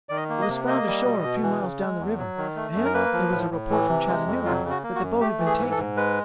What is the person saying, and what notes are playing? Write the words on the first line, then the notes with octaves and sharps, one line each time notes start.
It was found ashore a few miles down the river, and there was a report from Chattanooga that the boat had been taken.
D#3 D5
D#5
A#3
D#5
C3
A#3 D#5
G3
B2
B2
E3
C#3
G#3
E2
F#3
D#3
A3
F#2
A#4
A#3 B4
F3
A2
A2
E3
C3
G#3
F2
F#3 F4
C#3
F#4
A#3
F#4
F#2
A3 G4
E3
G#4
G#2
A4
G#2
G#3 B4